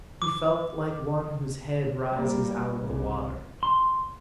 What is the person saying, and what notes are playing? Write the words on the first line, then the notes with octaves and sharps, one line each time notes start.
He felt like one whose head rises out of the water.
D6
G3 A#3
C2 C#3
C6